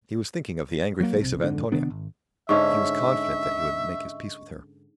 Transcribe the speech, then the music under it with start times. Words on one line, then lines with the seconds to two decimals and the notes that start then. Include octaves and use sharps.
He was thinking of the angry face of Antonia; he was confident that he would make his peace with her.
1.00 F#3 A#3
1.18 B1 C3
1.40 F2 G#2 D3
1.72 C3 D#3 B3 D4
1.90 G#1
2.49 G#2 D3 C#4 D#5 E5 C#6